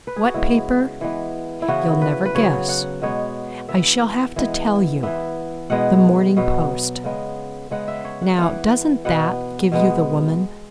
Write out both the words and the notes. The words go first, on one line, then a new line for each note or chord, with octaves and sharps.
What paper? You'll never guess; I shall have to tell you--The Morning Post. Now doesn't that give you the woman?
B4
G#4
F#4
C#3 G#3 B3 E4
E3 G#3 B3
E4
C#3 E3 B3 F#4
B4
B4
C#3 F#3 B3 C#5
F#5
B2 G#3 B3 C#5
E3 B3 E5
E3 G#3 B3
E3 B3 E5
B2 G#3 B3 F#5
B2 F#3 B3
C#3 G#3 B3
C#3 G#3 B3 F#5
E5
C#5
F#5
E3 B3 F#5
B2 B3 F#5
B2 G#3 B3